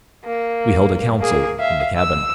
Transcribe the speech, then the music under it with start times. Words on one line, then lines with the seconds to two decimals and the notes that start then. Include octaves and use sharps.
We held a council in the cabin.
0.25 A#3
1.20 A#3 G#4
1.59 E5 F5
1.96 E6